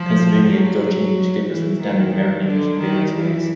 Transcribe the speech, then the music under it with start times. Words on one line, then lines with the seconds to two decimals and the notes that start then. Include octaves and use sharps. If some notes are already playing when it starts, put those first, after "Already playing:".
Pennsylvania Dutch English differs from standard American English in various ways.
Already playing: F3
0.49 F#3
1.47 E3
1.80 D#3
2.13 D#3
2.46 D3
2.78 D#3
3.12 E3